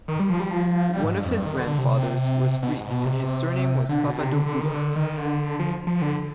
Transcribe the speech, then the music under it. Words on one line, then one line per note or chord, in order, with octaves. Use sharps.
One of his grandfathers was Greek and his surname was Papadopoulos.
D#3
G3
F3
G3
F3
G3
G#2
G2
F2
G2
D#3
D3
D3
C3
B2
G#2
B2
C3
D3
B2
C3
D3
D3
D#3
D3
D#3
D3
F3
F3
D3